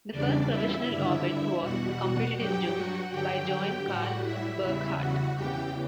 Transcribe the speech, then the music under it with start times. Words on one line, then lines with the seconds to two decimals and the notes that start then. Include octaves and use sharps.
The first provisional orbit was computed in June by Johann Karl Burckhardt.
0.11 E2 C#3 G3 D4 D5
0.48 E4 E5
0.86 G2 D3 G3
1.60 E2 B2 G3 F#4 F#5
2.35 G2 F#3 G4 G5
2.72 F#4 F#5
3.10 G2 D3 F#3 G4 G5
3.48 G4 G5
3.85 A2 G3 F#4 F#5
4.22 E4 E5
4.60 E2 C#3 E3 G3
4.96 F#4 F#5
5.34 E2 C#3 E3 G4 G5